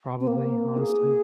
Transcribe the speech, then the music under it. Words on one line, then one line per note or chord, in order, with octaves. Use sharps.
Probably, honestly.
C4
A#3
G#4